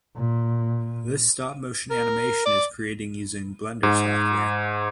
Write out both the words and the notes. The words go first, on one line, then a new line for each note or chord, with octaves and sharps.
This stop motion animation is created using Blender software.
A#2
A#4
D5
G#2